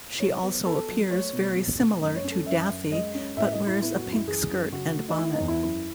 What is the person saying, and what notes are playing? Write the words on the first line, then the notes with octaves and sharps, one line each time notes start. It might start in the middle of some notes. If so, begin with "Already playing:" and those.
She also appears very similar to Daffy, but wears a pink skirt and bonnet.
F#3 C#5
B3
B3 A4
F#3
A3 C#5
B2
B2
A3
F#2 D#5
C#5
C#4
A4
F#2 E5
F#2
G#3 D#5
C#4
A2 E5
D#5
A2
E4
B3 E4
F#4
F#2
E4
E3 G#4
F#2
C#3 F#4
A3
D#4
A3 E4
D#4
E2
E4
F#2 E4